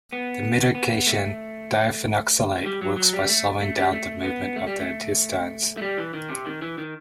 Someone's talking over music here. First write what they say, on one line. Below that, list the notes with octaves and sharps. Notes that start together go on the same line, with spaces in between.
The medication diphenoxylate works by slowing down the movement of the intestines.
B3
B3
A3
G3
F#3
F#3
G3
A3
A3
G3
A3
B3
A3
G3
A3
A3
G3
E3
D#3
C3
D#3
E3
D#3